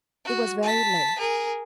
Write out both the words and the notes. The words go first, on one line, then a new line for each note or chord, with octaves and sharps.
It was very late.
F#4
A5 B6
G#4 A#4